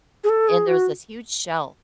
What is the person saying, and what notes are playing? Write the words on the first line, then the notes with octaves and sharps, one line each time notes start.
And there was this huge shelf
G#4
A4
G#4
F#4